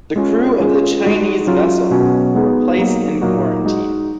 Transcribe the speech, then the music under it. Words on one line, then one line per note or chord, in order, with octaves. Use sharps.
The crew of the Chinese vessel were placed in quarantine.
G#3 C#4 F4 G#4
G#3 C#4 F4 G#4
G#3 D#4 F#4
F#3 C#4 F4 G#4
B2 F#3 C#4 F#4
G#3 B3 D#4 G#4
F#3 A#3 D#4
A#2 F#3 A#3 D#4 F#4
G#3 D#4 F#4